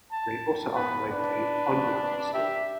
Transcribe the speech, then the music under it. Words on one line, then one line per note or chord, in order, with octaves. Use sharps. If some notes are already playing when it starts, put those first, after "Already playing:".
They also operate a On-Line Store.
A5
B3 B4
D4 B4
G4 E5